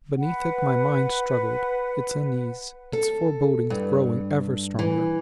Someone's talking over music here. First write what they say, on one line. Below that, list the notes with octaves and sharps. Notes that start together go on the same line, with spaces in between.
Beneath it my mind struggled, its unease, its forebodings growing ever stronger.
B4 F#5
A4
G2
E3